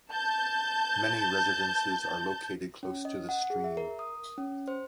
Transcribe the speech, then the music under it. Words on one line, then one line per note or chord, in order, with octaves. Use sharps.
Many residences are located close to the stream.
A5 G6
C#4
D#5
F#5
G#4
E5
A#4
D#6
C#4
C5